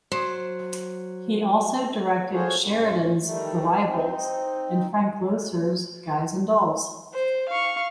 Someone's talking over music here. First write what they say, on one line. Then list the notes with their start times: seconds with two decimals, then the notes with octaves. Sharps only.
He also directed Sheridan's "The Rivals" and Frank Loesser's "Guys and Dolls".
0.12 F#3 C5
2.33 F4 F#4 G#4 A4 C5 C#5
2.66 A2 C#4
3.24 D#3 G3 A3
3.86 C4 D#4
7.14 C5
7.49 F5 C#6